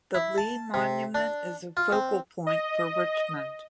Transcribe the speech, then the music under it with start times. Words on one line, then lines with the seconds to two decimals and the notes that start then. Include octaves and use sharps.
The Lee Monument is a focal point for Richmond.
0.15 E4
0.38 A5
0.74 C3
1.15 D4
1.77 F4
1.92 C4
2.47 D#5